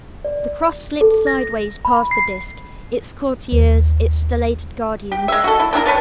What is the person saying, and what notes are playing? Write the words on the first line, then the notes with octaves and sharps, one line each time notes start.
The Cross slipped sidewise past the Disk, its courtiers, its stellated guardians.
D5
A4
A#6
B5
C7
D#2
G4
G#3 E5
F#4 A4
E4
D4 E4 G#4 A#4
C3 B4 C#5 A5